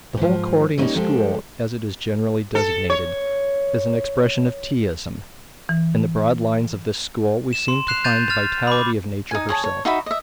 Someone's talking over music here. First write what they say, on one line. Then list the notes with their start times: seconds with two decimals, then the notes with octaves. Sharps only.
The whole Korin school, as it is generally designated, is an expression of Teaism. In the broad lines of this school we seem to find the vitality of nature herself.
0.17 G#2 F3
0.78 G3 A3 A#3 C4 C#4 D#4
0.95 F3 G#3 G4 A4
2.55 A4
2.90 C#5
5.69 E3
7.53 E7
7.68 C6
7.88 F#6 C7 E7 F7
8.04 F#6 G6 A6 D#7 F7
8.29 F6 A6 F7
8.67 B5 D6
9.31 D#4 G#5
9.49 G#4 C#5 A5
9.64 C#5
9.85 D#4 F#4 E5 B5
10.06 D#5 E5